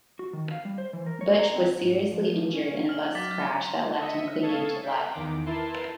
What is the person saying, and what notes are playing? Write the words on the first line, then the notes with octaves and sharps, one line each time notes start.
Butch was seriously injured in a bus crash that left him clinging to life.
F#4
D#3
F5
G3
C5
E3
A#4
C#5
A#5
C4
G#2
F3
C#4
F6 F#7
F#3 D6 A6 B6
D#5 E5 B6 C#7
A4 F5 A5 C#6 D#6 G#6
F5 G5 F#6 G6 B6
E2 D#3 D6
E4 A#4 B4 A5 C6